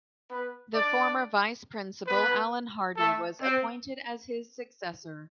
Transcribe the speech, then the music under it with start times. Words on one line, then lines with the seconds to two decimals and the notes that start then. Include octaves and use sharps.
The former Vice-Principal, Allan Hardy, was appointed as his successor.
0.30 B3 B4
0.75 D4 D5
2.07 B3 B4
2.97 A3 A4
3.42 C4